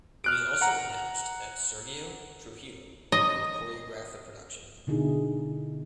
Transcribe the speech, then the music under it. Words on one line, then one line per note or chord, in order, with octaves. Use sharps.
It was also announced that Sergio Trujillo would choreograph the production.
F6 F#6 D7
F#5 A#5
D#5
B2 D3 D#4 E4 G#4